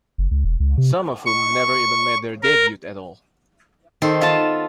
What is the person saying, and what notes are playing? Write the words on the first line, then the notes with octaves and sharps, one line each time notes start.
Some of whom never even made their debut at all.
F#1
C#2
E1
C#2
C3
C#6
A#4
D#3 C4 A4 C5
B3 F4 F5 A5